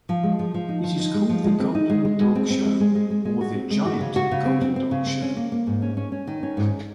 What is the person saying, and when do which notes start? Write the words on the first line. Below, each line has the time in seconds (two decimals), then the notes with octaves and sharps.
It is called The Golden Dog Show or The Giant Golden Dog Show.
0.09 F3
0.23 G#3
0.39 F3
0.54 F3
0.69 D#4
0.84 F3
0.99 D#4
1.14 G#3
1.29 F3
1.44 G#3
1.59 C4
1.75 D#4
1.90 G#3
2.05 G#3
2.20 G#3
2.35 C4
2.50 C4
2.65 G#3
2.80 G#3
2.95 G#3
3.10 G#3
3.25 G#3
3.41 F#4
3.55 C4
3.71 G#3
3.85 F#4
4.01 C#3
4.16 F#4
4.31 C#3
4.46 C4
4.61 C4
4.76 C4
4.91 C#3
5.06 C4
5.22 C#4
5.36 A#3
5.52 A#3
5.67 G#2
5.82 C#4
5.97 C#4
6.12 C#4
6.27 D#3
6.43 C#4
6.57 G#2